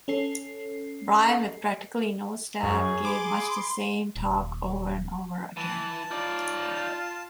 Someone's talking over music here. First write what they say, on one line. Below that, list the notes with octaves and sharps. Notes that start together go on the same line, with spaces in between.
Bryan, with practically no staff, gave much the same talk over and over again.
C#4 A4 C7
F#2 G#4 C#6
B5 C6 D6
D#1
E3 A5
D#4 F4 D5